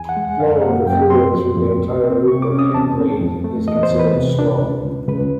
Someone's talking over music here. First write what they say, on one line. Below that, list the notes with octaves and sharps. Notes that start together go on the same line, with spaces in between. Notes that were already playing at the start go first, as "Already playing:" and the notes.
Flow of the fluid through the entire loop of Henle is considered slow.
Already playing: E2 G#5
F#5
G#3
F#5
F#2 F5
A#3 F#5
F#2 G5
C4 C6
F2
F2
C2
C4
C3 C#6
D6
C#4
D#6
E2 A5
C4
F2
A3
E2 D#5
C5
E2
B4
C3
D4
C#2
C#2
C#2 B4